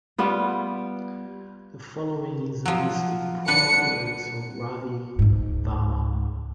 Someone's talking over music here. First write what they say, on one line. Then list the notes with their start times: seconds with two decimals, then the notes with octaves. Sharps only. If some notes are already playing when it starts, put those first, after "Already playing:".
The following is a list of the prominent works of Ravi Varma.
0.18 G3 B3 F4
2.66 F3 F#3
3.48 D4 B4 F#5 C#7
5.19 C#2 G#2